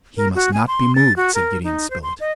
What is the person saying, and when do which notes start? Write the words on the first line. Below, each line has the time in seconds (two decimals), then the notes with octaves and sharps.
"He must not be moved." said Gideon Spilett.
0.17 A#4
0.35 F#4
0.53 G#5
0.68 C6
0.96 A6
1.16 F#4
1.35 A#4
1.64 D#4
1.90 C5
2.03 C6
2.20 D#5